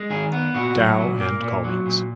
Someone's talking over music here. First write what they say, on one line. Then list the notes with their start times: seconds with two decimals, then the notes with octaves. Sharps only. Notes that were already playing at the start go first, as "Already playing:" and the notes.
Dow and colleagues.
Already playing: G#3
0.10 D#3 G#4
0.32 B3
0.54 A#2 F#4
0.76 F#3
0.98 A#2
1.20 A#3
1.42 A#2
1.64 F#3
1.86 A#2